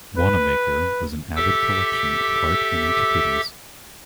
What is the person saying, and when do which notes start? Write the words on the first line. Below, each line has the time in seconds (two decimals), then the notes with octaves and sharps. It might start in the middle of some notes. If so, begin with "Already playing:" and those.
Wanamaker was an avid collection of art and antiquities.
0.17 B4
1.36 G4 A4 E5 D6 E6